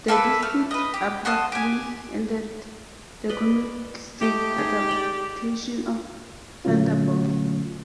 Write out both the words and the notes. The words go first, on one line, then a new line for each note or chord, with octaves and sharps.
The dispute abruptly ended the comic strip adaptation of "Thunderball".
A#3 A4 B4 E5
A3 F6
B4 D#5
G4
F#4 C5 D#5 A5
G4 G#5
B4 D5 D#5
A3 G4 D#5 D6
G#3 D#4 G#4
D5 G5
A#2 D3 F#3 A3 C#4 F4